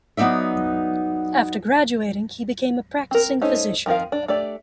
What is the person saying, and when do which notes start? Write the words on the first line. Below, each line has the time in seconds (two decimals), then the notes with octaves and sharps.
After graduating, he became a practicing physician.
0.17 F#3 B3 D#4 D5 E5
3.11 C4 A#4
3.41 A3 C#4 D#4 C5
3.86 D#3 F3 C4 A#4 F5
4.12 D4
4.28 A3 D4 G4 D5